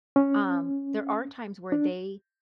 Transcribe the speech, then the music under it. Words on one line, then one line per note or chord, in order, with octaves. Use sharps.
Um, there are times where they
C#4
D4